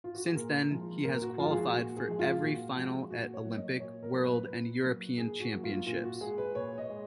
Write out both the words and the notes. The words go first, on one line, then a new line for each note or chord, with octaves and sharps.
Since then he has qualified for every final at Olympic, World and European Championships.
F4
F#4
G#4
A#2 A#4
F3 G#3
A#2 A#4
F#4
F3 G#3 F4
G#4
F#4
A#2 F#4
G#4
F3 G#3
F4
A#2 F#4
F3 G#3
A#2 F#4
C#5
F#3 A#3
D#5
A#2 C#5
A#4
F#3 A#3
B4
A#2
F#3 A#3
A#2 G#4
F#4
F#3 A#3
F4
A#2 F4
F#4
G#3 G#4
B4
A#2 C#5
D#5
G#3